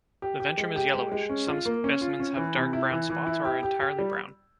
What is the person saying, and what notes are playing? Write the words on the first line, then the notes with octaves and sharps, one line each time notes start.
The ventrum is yellowish; some specimens have dark brown spots or are entirely brown.
G4
G4
G#3
G4
G#3
G#3
C#4
F4
A#3
C#4
F4
C#4
E3
C3
E4
E3
E3
E4
G4
G4
G4
G3